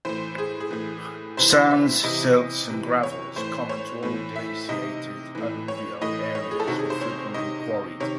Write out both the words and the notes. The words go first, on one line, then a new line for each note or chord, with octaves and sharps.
Sands, silts and gravels, common to all glaciated alluvial areas were frequently quarried.
A2 E3 C5
G#4
G#4
A2 E3
C3 E3 C5
E5
C3 E3 D#5
C3 E3
C#5
A2 E3 C5
C#5
A2 E3
E5
C3 D#3 D#5
A2 E3
C#5
A2 E3 D#5
C#5
G#4
A4
C3 D#3 F#4
G#4
C5
C#5
C3 D#3 D#5
C3 D#3 C#5